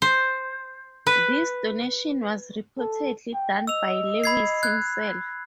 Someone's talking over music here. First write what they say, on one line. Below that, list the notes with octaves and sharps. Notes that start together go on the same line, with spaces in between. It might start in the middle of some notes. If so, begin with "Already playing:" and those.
This donation was reportedly done by Lewis himself.
C5
B4
A4
G5
D#5 E6 F7
B5 G#6 C7
F#6 G#6